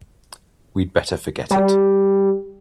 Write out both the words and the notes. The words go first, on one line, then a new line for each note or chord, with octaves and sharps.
We'd better forget it.
G3